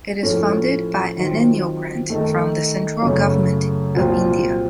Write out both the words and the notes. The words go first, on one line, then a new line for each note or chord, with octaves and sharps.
It is funded by an annual grant from the Central Government of India.
A2 F3 A3 C#4 A4
D#3 F#3 C4 F4
D#3 A3 D#4 A4
F#2 C#3 A3
C2 A#2 F#3 C4 F4